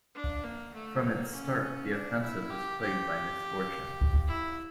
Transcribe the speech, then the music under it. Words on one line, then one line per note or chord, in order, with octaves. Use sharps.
From its start the offensive was plagued by misfortune.
D4
A#3
A3
A#3
C#4
C#4
D4
E4
G4
G4
E4